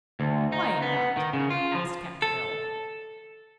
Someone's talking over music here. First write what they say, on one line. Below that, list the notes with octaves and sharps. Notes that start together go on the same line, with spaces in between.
"Why not?" asked Cap'n Bill.
D2
D#4
B3
D#3
C#3
F4
F3
A4